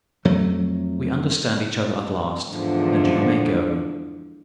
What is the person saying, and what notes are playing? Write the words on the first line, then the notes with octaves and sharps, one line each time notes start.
We understand each other at last, and you may go.
F2 F#3 A3
E2 G#2 D3 F3